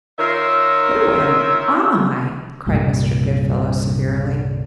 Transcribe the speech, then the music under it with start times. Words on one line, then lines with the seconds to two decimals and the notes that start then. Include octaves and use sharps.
"Who am I?" cried Mr. Goodfellow, severely.
0.19 D#3 F4 A#4 C#5 E5
2.66 C2 G2 A#2 G3